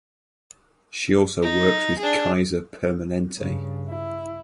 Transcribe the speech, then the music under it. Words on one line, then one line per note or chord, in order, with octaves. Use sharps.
She also works with Kaiser Permanente.
D#4
D4 G#4
G2 C#3
E4